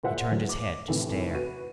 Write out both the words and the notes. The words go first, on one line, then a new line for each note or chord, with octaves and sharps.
He turned his head to stare.
A#2 E4 G#4 C5 E5 F#5
E2 F#3
D6
D#2 A2 C3 E3
F#4 B4 D#7